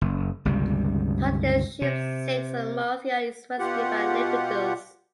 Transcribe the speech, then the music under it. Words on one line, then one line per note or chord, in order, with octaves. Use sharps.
Totila’s ship sinks and Marzia is rescued by Lepidus.
F#1
G1 C#2 C3 G3
C3
B2 F4 G4 F#5